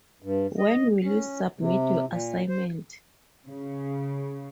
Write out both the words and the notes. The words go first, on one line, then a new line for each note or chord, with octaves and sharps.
When will you submit your assignment?
G2
D#5
C#4
C3
A#2
C5
C#3